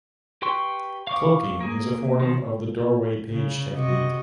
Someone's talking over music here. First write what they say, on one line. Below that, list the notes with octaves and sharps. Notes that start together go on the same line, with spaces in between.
Cloaking is a form of the doorway page technique.
G4 B4 G5 C6 C#6
F5 C#6 D6
A#3 G#4
D#3 F3
C#3
C3 F#4 D#5